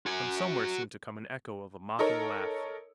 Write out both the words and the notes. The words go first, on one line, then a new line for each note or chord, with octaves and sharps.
From somewhere seemed to come an echo of a mocking laugh.
F#4 G#5
D#4 A4 A#4 C#5